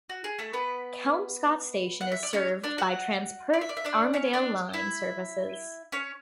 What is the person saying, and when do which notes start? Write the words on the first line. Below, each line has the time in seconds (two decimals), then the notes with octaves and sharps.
Kelmscott station is served by Transperth Armadale line services.
0.09 F#4
0.24 G#4
0.39 A3 A4
0.53 B3 B4
2.01 F#5
2.12 E5
2.23 D5
2.33 C#4 C#5
2.64 D4 D5
2.78 F#4 F#5
3.53 D5
3.61 E5
3.69 D5
3.77 E5
3.85 D4 D5
4.14 C#4 C#5
4.33 D4 D5
4.73 E4 E5
5.92 C#4 C#5